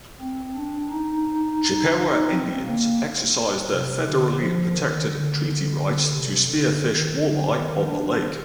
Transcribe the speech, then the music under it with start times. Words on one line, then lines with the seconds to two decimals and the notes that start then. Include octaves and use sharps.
Chippewa Indians exercise their federally protected treaty rights to spearfish walleye on the lake.
0.21 C4
0.56 D4
0.90 D#4
1.95 D#4
2.29 C4
2.65 A#3
3.68 C3
4.03 D3
4.38 F3
4.73 D#3
5.08 D3
6.12 C3
6.47 D3
6.81 D#3
7.17 D3
7.51 D#3
7.86 D4